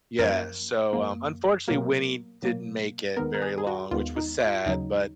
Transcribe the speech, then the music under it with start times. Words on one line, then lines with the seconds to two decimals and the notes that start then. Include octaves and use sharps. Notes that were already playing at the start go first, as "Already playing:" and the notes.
Yeah, so, um, unfortunately, Winnie didn't make it very long, which was sad, but,
0.19 F#2 F3 A#3 A#4
0.93 F#2 F3 A#3
1.68 B2 F#3 A#3 A#4
2.43 B2 F#3 A#3
3.17 D#2 D#3 G#3 B3 A#4
3.34 A#4
3.42 G#4
3.58 G#4
3.67 F#4
3.91 D#2 D#3 G#3 B3 F4
4.16 D#4
4.41 F4
4.66 D#2 C#3 F#3 D#4